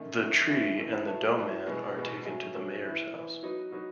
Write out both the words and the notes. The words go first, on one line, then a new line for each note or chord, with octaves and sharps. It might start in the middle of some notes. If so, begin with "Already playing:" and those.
The tree and the dough-man are taken to the mayor's house.
Already playing: F#2 D#3 A3
F#2 D#3 A3
F#2 E3 A3 E4
F#2 E3 A3 E4
F#3 B3 E4 A4
F#3 B3 E4 A4
E2 B2 G#3 B3
E2 B2 G#3 B3
F#3 A3 C#4
F#3 A3 C#4
E3 B3 E4
E3 B3 E4
F#3 B3 D#4 F#4 B4
F#3 B3 D#4 F#4 B4